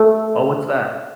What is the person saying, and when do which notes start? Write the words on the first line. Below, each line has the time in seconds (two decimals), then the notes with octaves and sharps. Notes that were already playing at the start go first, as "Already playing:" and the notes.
Oh, what's that?
Already playing: A3